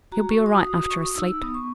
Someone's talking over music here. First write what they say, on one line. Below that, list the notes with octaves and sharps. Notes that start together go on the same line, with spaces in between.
He'll be all right after a sleep.'
F#4 A#5
C#6
F#4
D#6
F#4 D#6
D#6
F#4 C#6
D#6
D#4 E6
E6
B3 D#6
C#6